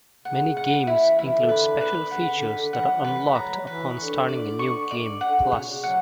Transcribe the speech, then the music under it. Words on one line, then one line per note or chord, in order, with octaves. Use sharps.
Many games include special features that are unlocked upon starting a New Game Plus.
C#3 F#5
F#5
E4
E3
E3 E4
D3
B4
B4
C#3 F#5
C#3
D3
B4
D3
E3 F#5
F#3
F#3
E3 B4
D3
F#3 A#5
E3 B4
D3 C#6
D5
C#6
D5
D3 F#5
C#3
B2 C#5
C#3
F#3 F#5